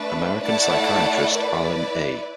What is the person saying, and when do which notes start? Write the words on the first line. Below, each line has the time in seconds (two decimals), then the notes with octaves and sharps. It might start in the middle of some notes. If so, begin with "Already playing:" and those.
American psychiatrist Alan A.
Already playing: A3 D4 B4 D5
0.42 A3 E4 D5 F#5 A5
1.33 E4 B4 D5